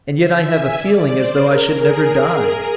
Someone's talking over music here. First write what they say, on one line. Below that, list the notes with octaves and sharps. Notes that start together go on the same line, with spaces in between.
And yet I have a feeling as though I should never die.
E5
G#5
D5
C5
A#4
G#4